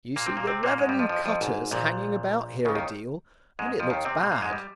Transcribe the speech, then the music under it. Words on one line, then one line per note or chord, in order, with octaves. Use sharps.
"You see the revenue cutter's hanging about here a deal, and it looks bad."
A#2 A#3
C3 C4
A#2 A#3
C3 C4
A#2 A#3
G#2 G#3
G2 G3
F2 F3
F2 F3
F2 F3
G#1 G#2
A#1 A#2
C#2 C#3
D#2 D#3
G#2 G#3
F2 F3
D#2 D#3
C3 C4
A#2 A#3
A#2 A#3
G#2 G#3
G3